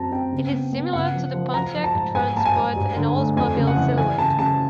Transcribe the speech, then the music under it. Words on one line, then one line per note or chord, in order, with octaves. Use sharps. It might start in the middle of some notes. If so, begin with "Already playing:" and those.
It is similar to the Pontiac Trans Sport and Oldsmobile Silhouette.
Already playing: F#2 C4 A5 A#5
C4 G5
C#3
B3
B3
C#3 F#5
F3
F3
F3 A#5
F3
A5
G#2
G#2 G#5
A#3 A5
G#5
G#2
G2
D3
A3
F2 G#5
C#3
F#5
E3
E3 G#5
C#3 A5
C#3 A5